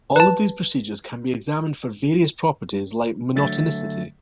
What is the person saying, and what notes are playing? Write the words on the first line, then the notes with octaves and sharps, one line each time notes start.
All of these procedures can be examined for various properties like monotonicity.
B4 A5
D3 F#3 A3 E5 A6